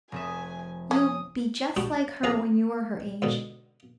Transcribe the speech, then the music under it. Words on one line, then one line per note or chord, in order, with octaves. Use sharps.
You'll be just like her when you are her age.'
F1 G#4 E5 G#5
C#4 D#6
G3 D4 F#4 G4
F2 G#4 F5 A#5
G#2 B2 D3